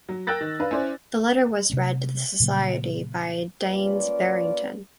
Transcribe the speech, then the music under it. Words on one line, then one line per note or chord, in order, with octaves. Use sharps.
The letter was read to the society by Daines Barrington.
F#3
A#4 G5 E6 F#6 A6 A#6
D#3
D4 B4 F5
C#4 E4 C5 D5
C3 A3 C#4
A#2 C#3 F#3 A#3
A#3 C#4 F4 B4 D5